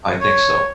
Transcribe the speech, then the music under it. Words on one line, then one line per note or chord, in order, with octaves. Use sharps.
I think so.
C#5